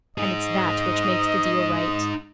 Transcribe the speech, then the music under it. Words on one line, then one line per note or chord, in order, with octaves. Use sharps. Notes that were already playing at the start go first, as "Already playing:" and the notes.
And it's that which makes the deal right.
D#4 G#4 D#5